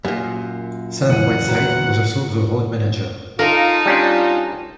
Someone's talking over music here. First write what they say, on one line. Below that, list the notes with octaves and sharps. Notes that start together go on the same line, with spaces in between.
Sam Whiteside was also the road manager.
F#2 A#2
F#1 E2 F#5 D#7
F#4 B4 A#5
D#4 F4 A4 A#4 F5
G3 C#4 D4 F4